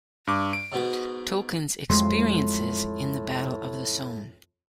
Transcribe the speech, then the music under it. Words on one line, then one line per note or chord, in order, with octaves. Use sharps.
Tolkien’s experiences in the Battle of the Somme.
G2 D6
D7
G#2 B2 B3
F2 A2 F#3 G#3 C6